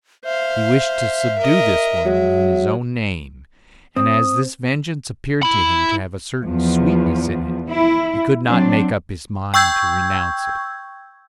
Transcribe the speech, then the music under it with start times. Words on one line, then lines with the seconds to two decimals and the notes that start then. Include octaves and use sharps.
He wished to subdue this woman in his own name; and as this vengeance appeared to him to have a certain sweetness in it, he could not make up his mind to renounce it.
0.25 C5 E5 F5
1.39 A#4 D#5
2.06 F#3 G#3
3.96 C4 D#6
5.43 E4 B5
6.43 E2 F3
7.70 E4
8.46 F#3 C4 D4
9.54 G5 C#6 E6 G6 G#6